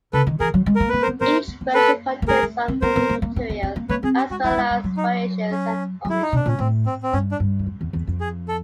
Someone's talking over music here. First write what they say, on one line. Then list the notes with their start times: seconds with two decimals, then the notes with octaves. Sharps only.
Each version contains some unique material, as well as variations and omissions.
0.13 C#3 A4 B4
0.27 D#3
0.40 E3 G#4 A#4
0.54 F#3
0.66 G#3
0.76 A#3 A#4
0.89 A#3 B4
1.02 A#4 C5
1.08 B3
1.21 B3 A#4 C5
1.48 B3
1.61 A#3
1.74 A4 B4
2.22 A#3
2.28 A3 G#4 A#4
2.42 A3
2.68 C4
2.82 B3 A#4 C5
2.96 B3
3.09 A#3
3.22 A#3
3.36 B3
3.50 B3
3.63 C4
3.76 A#3
3.89 A#3 B4 C#5
4.03 C4 G#4
4.17 G4
4.30 G#3 F#4
4.44 G3 E4
4.50 A3
4.57 G#3
4.70 G3
4.84 F#3
4.97 D#4
5.51 C#4
6.05 F#3
6.10 E4
6.22 D#4
6.32 B2 D4
6.46 A#2 C#4
6.59 A2 C4
6.86 C4
7.03 C4
7.13 G2 C#4
7.31 D4
7.40 G2
7.59 F2
7.66 F#2
7.81 E2
7.93 E2
8.07 F2
8.21 G#4
8.48 A4